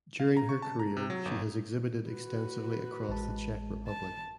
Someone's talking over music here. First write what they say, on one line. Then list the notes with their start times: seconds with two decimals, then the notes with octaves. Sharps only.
During her career she has exhibited extensively across the Czech Republic.
0.20 F5
0.37 A#5
0.49 C#6
0.62 A5
0.79 A#5
0.97 C3
1.10 F#3
1.25 G1
2.09 F#4 B4
3.09 A1 G#3 A5
3.87 A5